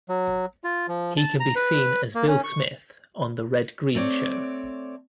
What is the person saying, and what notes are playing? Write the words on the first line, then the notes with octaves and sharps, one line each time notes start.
He can be seen as Bill Smith on "The Red Green Show".
F#3
F4
F3
A5
A#5
B4
A#3
C#4
C#6
A3 C4 C#5 D5